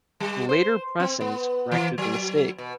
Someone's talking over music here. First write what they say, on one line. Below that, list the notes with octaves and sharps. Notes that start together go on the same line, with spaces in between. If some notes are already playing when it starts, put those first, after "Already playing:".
Later pressings corrected the mistakes.
G3
C5
C4
B3
E3
F#3
B2